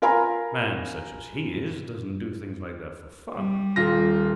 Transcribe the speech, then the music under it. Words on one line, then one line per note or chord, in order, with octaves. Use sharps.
A man such as he is doesn't do things like that for fun.
F4 A#4 F5 G#5 A#5 B5
G3
D#1 F4 A#6